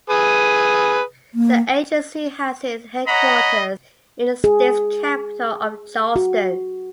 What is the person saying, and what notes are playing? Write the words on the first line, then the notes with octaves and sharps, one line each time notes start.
The agency has its headquarters in the state's capital of Charleston.
G#4 B4 D#6
A#3
C#5 D#5 F#5 A#5 B5
G#4
F#4